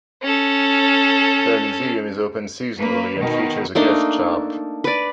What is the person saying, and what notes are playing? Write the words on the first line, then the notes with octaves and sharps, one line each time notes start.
The museum is open seasonally and features a gift shop.
C#4 A4
A#3 B4
B2 D#3
A3 A#3 D4 D#4
B4 D5